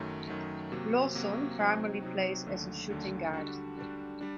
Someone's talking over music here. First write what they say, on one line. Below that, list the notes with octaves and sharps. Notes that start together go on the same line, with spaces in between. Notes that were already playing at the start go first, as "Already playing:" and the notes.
Lawson primarily plays as a shooting guard.
Already playing: F#2 D#3 F#3 A3
F#2 D#3 F#3 A3
C3 F#3 A#3 F#4
C3 F#3 A#3 F#4
C3 F#3 C4 D#4 F#4
C3 F#3 C4 D#4 F#4
D#2 D3 F#3 A3
D#2 D3 F#3 A3
D3 G3 D4 F#4
D3 G3 D4 F#4
G3 D4